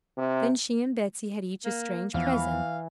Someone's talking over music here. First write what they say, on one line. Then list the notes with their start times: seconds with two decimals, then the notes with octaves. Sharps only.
Then she and Betsey had each a strange present.
0.17 C3
1.65 A#3
2.14 E2 E3 F3 B3 F5